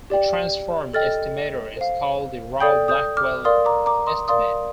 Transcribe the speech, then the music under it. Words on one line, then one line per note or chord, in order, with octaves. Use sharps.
The transformed estimator is called the Rao-Blackwell estimator.
G4 D5 G5
A4 D#5 G5 F6 A6
C5 F5
A4 D5 G5 D#6 G6
D#6 G6
D6 F6
A#4 D5 F5 C6 D#6
A#5 D6
A#5 D6
C6 D#6
A#4 D5 F5 C6 D#6